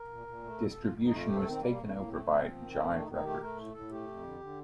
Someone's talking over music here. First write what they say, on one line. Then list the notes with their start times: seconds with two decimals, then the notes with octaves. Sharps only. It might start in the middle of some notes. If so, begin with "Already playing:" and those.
Distribution was taken over by Jive Records.
Already playing: A#4
0.10 A#2
0.27 A#2
0.43 A3
0.60 F2 A4
0.71 A4
0.76 F2
0.82 F4
0.93 F2
1.04 D#4
1.09 A3
1.15 F4
1.25 C3 G4
1.37 A4
1.42 D#3
1.48 C4
1.59 G3 A#3
1.70 F2 A#3
1.81 A3
1.92 A2 A#3
2.08 A3 C4
2.24 F3 C4
2.41 F3
2.58 D#3
2.74 A3
2.91 D#3 D4
3.02 D#4
3.07 D#3
3.12 D#4
3.24 A3 G4
3.40 A3 A#4
3.57 A2
3.73 A2 A4
3.90 A3 G4
4.07 F2
4.23 D3
4.40 D3